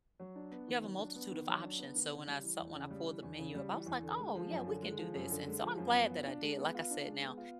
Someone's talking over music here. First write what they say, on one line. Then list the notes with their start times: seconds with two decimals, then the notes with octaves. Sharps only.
you have a multitude of options." So when I saw when I pulled the menu up, I was like, "Oh, yeah. We can do this," and so I'm glad that I did. Like I said now,
0.20 F#3
0.36 D4
0.51 B3
0.68 D#3
0.83 F#3
0.99 D4
1.15 B3
1.31 D#3
1.47 F#3
1.63 D4
1.79 B3
1.95 D#3
2.11 C#3
2.27 G3
2.43 E3
2.59 E2
2.74 C#3
2.91 G3
3.07 E3
3.23 E2
3.39 C#3
3.55 G3
3.71 E3
3.86 E2
4.02 D3
4.19 G#3
4.35 F3
4.51 F#2
4.67 D3
4.82 G#3
4.99 F3
5.14 F#2
5.30 D3
5.47 G#3
5.62 F3
5.78 F#2
5.94 B3
6.11 F4
6.27 D4
6.42 G#3
6.59 B3
6.75 F4
6.91 D4
7.06 G#3
7.22 B3
7.37 F4